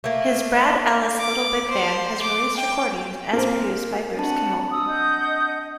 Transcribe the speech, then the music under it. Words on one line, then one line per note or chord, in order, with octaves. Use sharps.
His Brad Ellis Little Big Band has released recordings, as produced by Bruce Kimmel.
A3 A#3
D6
C5
D6
G5
A#3 C4
C4 D4 F#4 A5 B5
A#5 D#6 E6
D#5 F#5 G6